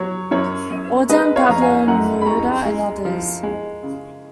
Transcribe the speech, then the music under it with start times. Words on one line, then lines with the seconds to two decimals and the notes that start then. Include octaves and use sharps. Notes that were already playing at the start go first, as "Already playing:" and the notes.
Auden, Pablo Neruda and others.
Already playing: F#3 C#5
0.31 F#2 C#5
0.71 F#2
1.09 G#3 B4 D#5
1.36 C#5 F5
1.49 F2 A#5
1.61 F5 G#5
1.88 F#2 F#5 A#5
2.21 B5
2.26 G#3 A#5 C#6
2.65 G#3
3.05 F3
3.43 G#3
3.83 C#3